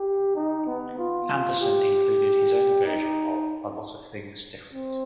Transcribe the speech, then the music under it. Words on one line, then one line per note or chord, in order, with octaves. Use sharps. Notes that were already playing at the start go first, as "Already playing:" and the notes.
Anderson included his own version of "A Lot of Things Different".
Already playing: G4
D#4
B3
F4
G4
D#4
C4